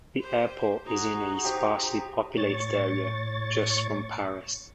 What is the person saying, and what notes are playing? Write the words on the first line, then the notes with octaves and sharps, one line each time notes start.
The airport is in a sparsely populated area just from Paris.
G4 C5
D#4 F#4 G#4
G4 C5
A2 C#5 C#6 A6